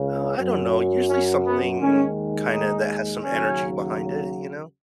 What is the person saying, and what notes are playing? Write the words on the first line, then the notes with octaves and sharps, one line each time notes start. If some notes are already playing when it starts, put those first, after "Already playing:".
uh, I don't know, usually, something kinda that has some energy behind it, you know?
Already playing: C#2 C#3
F#2 F#3
C#4
B3
D#2 D#3 G#3 C#4
D#3 D#4
D#2 C#3 F#3 C#4